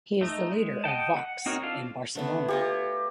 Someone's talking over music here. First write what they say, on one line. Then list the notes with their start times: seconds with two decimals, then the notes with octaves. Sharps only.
He is the leader of Vox in Barcelona.
0.21 A3 D#4
0.52 G#3
0.84 D#5 F#5 G5 A5
1.17 F#5
1.46 C4 D#4 F#4 A#4 C#5
1.62 C4 D4 F4 A4 F5
2.15 D3 A3 B3
2.48 F4 G4 C#5 D#5